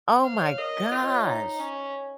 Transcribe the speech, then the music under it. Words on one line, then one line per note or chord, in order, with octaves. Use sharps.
Oh my gosh.
C5 F5
C#5
A#4 D#5
F4 C5
D#5
C#5
D#4 C#5
C#4